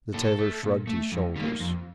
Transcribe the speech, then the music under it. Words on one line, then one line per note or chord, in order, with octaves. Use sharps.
The tailor shrugged his shoulders.
A#2 A4
A3
A#2
A3
F2
D#3 G3 A#3
F2